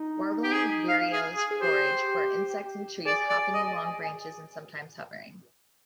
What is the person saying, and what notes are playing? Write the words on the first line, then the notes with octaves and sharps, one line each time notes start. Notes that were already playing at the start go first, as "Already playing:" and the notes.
Warbling vireos forage for insects in trees, hopping along branches and sometimes hovering.
Already playing: D#4
G4
G#4
F5
G#4
G#4
G#4
G4 C5
G#4 D5
D5
D#5